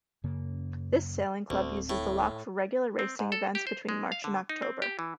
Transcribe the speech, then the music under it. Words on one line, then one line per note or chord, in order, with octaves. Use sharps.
This sailing club uses the loch for regular racing events between March and October.
F#2 C#3 A#3
D1 D2 C4
A2
C4
G#2
A4
G4
C5
G#3
F5
D3
D#4
C4
G4
E3